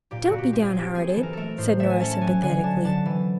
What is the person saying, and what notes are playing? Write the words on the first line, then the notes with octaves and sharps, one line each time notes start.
"Don't be down-hearted," said Nora sympathetically.
A#2 G4
F#4
A#2
G4
C4 G4
G#4
C4 G4
C4 G#4
A4
E3
A#4
A3 A4 A#4
A2 C5
A3 E5
G#5
C#4 A5
A5
F#3 G#5
D3 G#5
D3 A5
D3 A5
E3